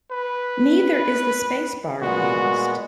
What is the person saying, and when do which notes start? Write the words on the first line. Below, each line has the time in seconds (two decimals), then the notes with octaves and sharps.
Neither is the spacebar used.
0.11 B4
2.01 A#2 G#3 B3 F#4